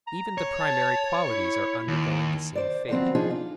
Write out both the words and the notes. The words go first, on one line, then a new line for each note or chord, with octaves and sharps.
Even the primary qualities are undergoing the same fate.
A#5
C#5
A5
E4
D#2
C5 D5
D#3 F3 F#3 B3 C4 F4
F3 D4 D#4 F4 G#4
F4